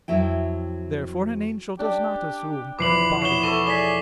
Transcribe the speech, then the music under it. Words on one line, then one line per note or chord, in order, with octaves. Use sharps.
Therefore an angel does not assume a body.
F2 F#3 E4 G5
D4 G4
E2 B2 F3 B4 D6 C7 F#7
B3 C#5 C7 E7 G7
E4 A4 C#6 G7
G#4 D5 B6 G7